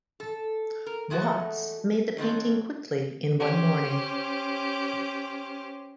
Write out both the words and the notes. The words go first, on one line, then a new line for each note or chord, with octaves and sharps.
Watts made the painting quickly in one morning.
A4
A#4
E2 G#3 A3 F#4 A5
D#3 F#3 C4 A4
C#4 G4 C5